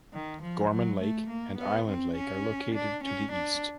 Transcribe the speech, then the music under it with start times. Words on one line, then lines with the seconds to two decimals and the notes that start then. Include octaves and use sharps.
Gorman Lake and Island Lake are located to the east.
0.13 D#3
0.42 F3
0.71 F#3
1.01 A3
1.29 A#3
1.58 B3
1.87 C4
2.16 C#4
2.75 D4
3.03 C#4
3.32 D4